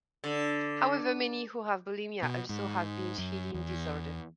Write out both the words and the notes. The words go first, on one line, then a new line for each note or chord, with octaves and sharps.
However, many who have bulimia also have binge-eating disorder.
D3
B2
G#2
F#2
E2